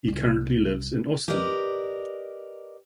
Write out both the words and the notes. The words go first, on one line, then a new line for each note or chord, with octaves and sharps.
He currently lives in Austin.
C2 G3
G4 A#4 B4 D5 D#5